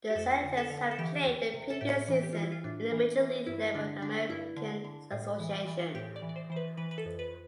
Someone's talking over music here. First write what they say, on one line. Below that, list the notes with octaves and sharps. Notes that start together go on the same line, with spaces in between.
The Senators had played the previous season in the major league level American Association.
G4
F2 A4
D3
A4
D3
A4
E3 G4
E2
C3
A4
A2 G4
E3
G4
E3 F4
E4
F4
A2 D4
E3
E3
G2 E4
D3 D4
D3 D4
G2 E4
D3
D3
A2
E3
E3
A2 G4
D5
E3
D5
C5
E3 C5
B4
E3 B4
B4
A4
F2
B4